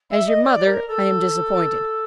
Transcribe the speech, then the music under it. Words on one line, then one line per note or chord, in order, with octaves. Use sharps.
As your mother, I am disappointed.
E5
D#5
D5
A#4
A4